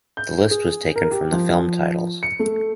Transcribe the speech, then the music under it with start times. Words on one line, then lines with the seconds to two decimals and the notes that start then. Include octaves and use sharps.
The list was taken from the film titles.
0.17 G6
0.51 G#4
0.96 A#4
1.12 G4
1.32 F3
2.23 C#7
2.39 A3